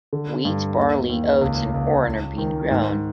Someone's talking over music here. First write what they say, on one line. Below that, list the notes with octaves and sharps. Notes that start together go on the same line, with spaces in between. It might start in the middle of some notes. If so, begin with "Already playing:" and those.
Wheat, barley, oats and corn are being grown.
D3
G2
D#2
D#2
C#2
C#2
C#2
D#3
G#2